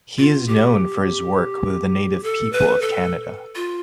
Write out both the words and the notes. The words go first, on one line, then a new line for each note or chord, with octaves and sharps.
He is known for his work with the native people of Canada.
F4
G4
A4
B4
A4
F4